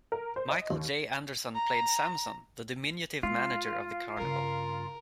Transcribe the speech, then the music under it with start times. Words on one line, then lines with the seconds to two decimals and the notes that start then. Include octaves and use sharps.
Michael J. Anderson played Samson, the diminutive manager of the carnival.
0.12 A#4
0.36 C5
0.50 D#5
0.70 D#2
1.55 A#5
3.23 G#3 F4
4.17 G2 C#3 A#4